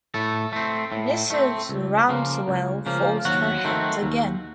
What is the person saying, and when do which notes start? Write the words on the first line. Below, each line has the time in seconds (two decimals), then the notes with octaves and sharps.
Mrs. Rouncewell folds her hands again.
0.14 A2 A3 A4
0.53 A3 C4
0.92 A2
1.30 A3 C4
1.69 C#2
2.09 C#3 F3 A#3
2.48 C#2
2.86 C#3 F3 A#3
3.25 D#2 F#3 F#4
3.64 D#3 A3 C4
4.03 D#2